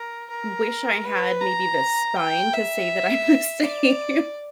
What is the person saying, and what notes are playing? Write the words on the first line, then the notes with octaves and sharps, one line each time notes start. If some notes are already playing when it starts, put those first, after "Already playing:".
I wish I had maybe the spine to say that I'm the same.
Already playing: A#4
A#4
B4
A#5
G5
E5
D5